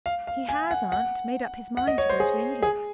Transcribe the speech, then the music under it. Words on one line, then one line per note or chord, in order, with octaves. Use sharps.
"He has, aunt, made up his mind to go to India."
F5
F5
G#5
F#5
F#5
F#5
D#5
C#5
C5
G#4
G#4